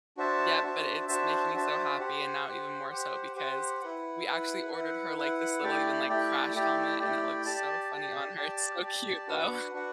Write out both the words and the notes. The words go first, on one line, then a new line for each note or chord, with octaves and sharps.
yep, but it's making me so happy and now even more so because we actually ordered her like this little even, like, crash helmet and it looks so funny on her, it's so cute though.
D4 F#4 C5 E5 A5
D4 F#4 C5 E5 A5
D4 F#4 C5 E5 A5
D4 F#4 C5 E5 A5
G4 C5 F#5
G4 C5 F#5
G4 C5 F#5
G4 C5 F#5
E4 B4 F#5
E4 B4 F#5
E4 B4 F#5
E4 B4 F#5
A3 E4 G4 D5 G5
A3 E4 G4 D5 G5
A3 E4 G4 D5 G5
A3 E4 G4 D5 G5
G4 D5 A5
G4 D5 A5
G4 D5 A5
G4 D5 A5
D4 F#4 B4 F#5
D4 F#4 B4 F#5